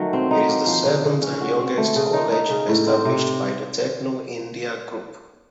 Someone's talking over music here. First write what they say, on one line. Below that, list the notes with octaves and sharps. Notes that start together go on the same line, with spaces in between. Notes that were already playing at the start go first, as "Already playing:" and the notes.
It is the seventh and youngest college established by the "Techno India Group".
Already playing: D#3 F#3 A3
C4
D#4
A#3
F3
C#3
C#3
C#4
F#4
C4
A3
C#3
D#4
D#4
C#3
A2
C4
C3